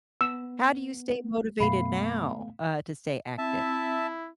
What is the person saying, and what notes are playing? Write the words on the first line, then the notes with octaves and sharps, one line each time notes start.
How do you stay motivated now, uh, to stay active?
B3 E6
F#2 B2 A3 B3 F5 B5 C7
C4 E4 E5 A5